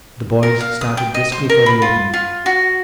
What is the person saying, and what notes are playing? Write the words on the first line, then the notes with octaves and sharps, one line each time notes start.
The boys started briskly for the opening.
A#4
F5
D#6
G5
D#5
C5
A#4
B5
F4
F4
F#4